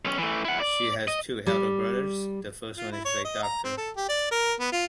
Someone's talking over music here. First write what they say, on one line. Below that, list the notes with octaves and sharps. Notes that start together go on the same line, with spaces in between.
She has two elder brothers, the first one is a doctor.
B1 C#4
E3 A3
E4 F#5
D5
D#5
G3
F4
E4
C#5
D#5
A#5
C4
A4
G4
D5
A#4
B3
F4